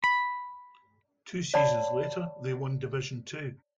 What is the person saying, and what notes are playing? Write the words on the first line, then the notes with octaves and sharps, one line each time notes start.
Two seasons later they won Division Two.
B5
C#5 D5 F#5 A5 B5